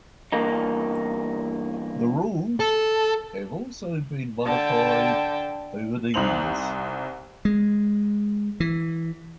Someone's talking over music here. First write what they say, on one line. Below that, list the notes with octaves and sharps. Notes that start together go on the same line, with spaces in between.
The rules has also been modified over the years.
E2 G2 A#3 D#4
A4
D3 G5 A5
C2 D#4 C5 F7 F#7
G#3
E3